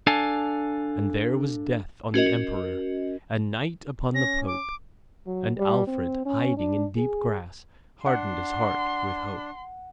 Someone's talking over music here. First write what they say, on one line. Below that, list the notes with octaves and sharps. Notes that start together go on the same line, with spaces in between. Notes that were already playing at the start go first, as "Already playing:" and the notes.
And there was death on the Emperor And night upon the Pope: And Alfred, hiding in deep grass, Hardened his heart with hope.
D4 A4 F5 G#5 A5
C#4 F#4 A#4 D#5
C#4 A#6
D6
F#3
G3
C4
C#4
D4
G#4
D4 F#5 C6